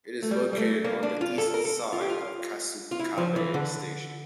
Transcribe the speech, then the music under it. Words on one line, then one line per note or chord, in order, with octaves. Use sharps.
It is located on the east side of Kasukabe Station.
A3
G3
G3
A3
A#3
D4
F4
A4
A#4
A4
F4
G4
F4
F4
E4
F3
E3
D3